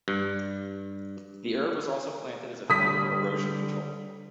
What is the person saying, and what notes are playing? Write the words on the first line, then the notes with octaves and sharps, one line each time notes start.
The herb was also planted as a form of erosion control.
G2
D3 G3 D#6 B6